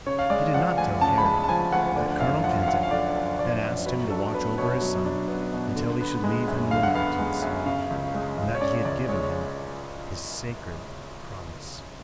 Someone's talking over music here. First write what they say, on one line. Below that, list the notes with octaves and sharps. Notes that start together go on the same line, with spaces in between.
He did not tell Harry that Colonel Kenton had asked him to watch over his son until he should leave him in the mountains, and that he had given him his sacred promise.
C#3 C#5
F5
G#3 D5
F3 F#5
D2 G#5
C#3 A5
B5
G#3 A5
A5
F3 G#5
D2 F#5
D3 D5
F#2 F5
F3 F#5
F5
F#2 F#5
F5
D3 D5
F#2
F3 D5
F#2
F#3 B4
D4 A4
B3 B4
B2 C#5
F#3
D4
B3
B2
D3
B3
G#3
F#2
D3 F5
F#5
B3 F5
G#3
F#2
C#3 F5
C#2
G#3
C#2
C#5
C#3 D5
C#2 D5
G#3 C#5